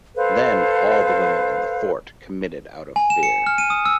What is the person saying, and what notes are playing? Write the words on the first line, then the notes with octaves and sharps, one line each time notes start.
Then all the women in the fort committed out of fear.
A4 B4 C5 F5
G#5
E7
C#7
F6
D#7
D#6
E6